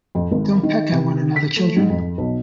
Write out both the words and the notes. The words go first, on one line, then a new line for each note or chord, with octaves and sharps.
Don't peck at one another, children.
F2
G#1
D#3
C3
B6
A3
G#2
F2
B1